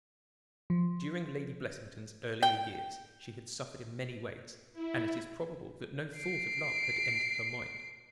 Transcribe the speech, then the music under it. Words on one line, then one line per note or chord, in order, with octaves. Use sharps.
During Lady Blessington's earlier years she had suffered in many ways, and it is probable that no thought of love had entered her mind.
F3
G5
E4
C7 D7